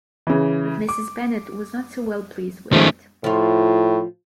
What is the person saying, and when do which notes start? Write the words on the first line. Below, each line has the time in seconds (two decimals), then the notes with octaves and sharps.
But Mrs. Bennet was not so well pleased with it.
0.27 C#3 E3
0.89 D6
2.72 D#3 F3 G#3 A3 C#4
3.24 A2 F3 F4